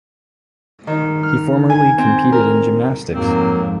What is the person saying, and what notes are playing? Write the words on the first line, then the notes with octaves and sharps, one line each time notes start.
He formerly competed in gymnastics.
D#3
F6
G#5
C4
A#4
F2 G#2 F#3 A#3 C4